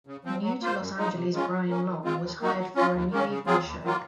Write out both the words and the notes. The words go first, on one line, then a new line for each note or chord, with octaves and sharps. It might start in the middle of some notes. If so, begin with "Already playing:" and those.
New-to-Los Angeles Brian Long was hired for a new evening show.
C#3
F3 C4
F#3
A#3 F4 C5
F#2
F3 G#3 D#4
C3
D#3 G#3 C#4 F4
F#3
A#3 C#4
D#3
G#3 C4 F4
D#2
D#3 A#3 D#4 F#4
F#3
C#4 F4
D#2
D#3 A#3 C#4
C#3
F#3 C4 F4 G#4
D#2
D#3 F#3 A#3 F4